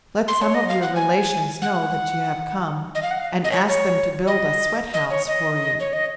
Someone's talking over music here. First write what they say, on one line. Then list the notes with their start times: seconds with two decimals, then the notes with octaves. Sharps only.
Let some of your relations know that you have come, and ask them to build a sweat-house for you.
0.28 C6
0.42 C#5
0.54 D#5
0.69 F5
0.82 F#5
0.95 G#5
1.62 F#5
2.95 D#5
3.03 F5
3.11 F#5
3.20 F5
3.44 D#5
3.52 C#5
3.68 C#5
4.27 D#5
4.94 D#5
5.10 C#5
5.27 D#5
5.80 C#5
5.93 D#5